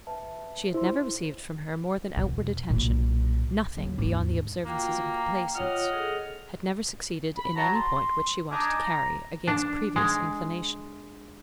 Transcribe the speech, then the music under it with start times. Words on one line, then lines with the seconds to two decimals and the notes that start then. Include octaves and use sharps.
She had never received from her more than outward attention, nothing beyond the observances of complaisance; had never succeeded in any point which she wanted to carry, against previous inclination.
0.07 B4 E5 A5
0.74 E4 C5 C6
2.17 E2 B2
2.70 B1 A#2
3.77 D#2 F#3
3.98 D#2 G#2
4.65 A#3 F4 F#4 G5
5.17 G5 A#5
5.55 F4 C#5 D#5 F#5 F6
5.93 G#4 A4
7.37 B5
7.56 F#3 A5 A#5
7.75 C6
8.51 D4 D#4 G#5
8.80 A#5
9.47 D4
9.96 G#3